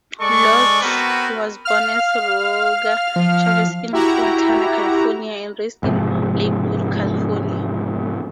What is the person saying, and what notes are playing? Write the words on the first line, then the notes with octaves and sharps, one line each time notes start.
Lodge was born as Roger Chavez in Fontana, California and raised in Lakewood, California.
G#3 A4 D5 C#6
B3 C4 F#4 A#4 B4
F5 F6
F3
E4 F#4 G4 A#5
E1 G#2 C3 F3